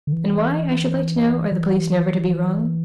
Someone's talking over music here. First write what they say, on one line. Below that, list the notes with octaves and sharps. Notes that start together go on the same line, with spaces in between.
And why, I should like to know, are the police never to be wrong?
D3
E3
E3